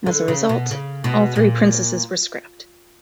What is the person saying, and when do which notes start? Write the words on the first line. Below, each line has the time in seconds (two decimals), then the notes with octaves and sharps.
As a result, all three Princesses were scrapped.
0.06 D3
0.28 C#3
0.49 B2
0.71 C#3
1.04 B2
1.36 A#2